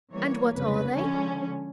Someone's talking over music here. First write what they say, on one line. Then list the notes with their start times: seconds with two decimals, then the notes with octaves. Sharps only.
"And what are they?"
0.12 E3 G3 A#3 C#5
0.54 C2 F2 C#3 B4
0.96 D3 F3 G#3 C#4